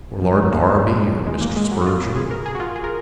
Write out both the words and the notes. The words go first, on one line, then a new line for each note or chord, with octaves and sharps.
Or Lord Derby, or Mr. Spurgeon.
F3
G#3
F#3
A#3
G#3
F#3
G#3
A#3
G#3
F#3
F#4
F4
G#4
A#4
G#4
F#4
F4
G#4
A#4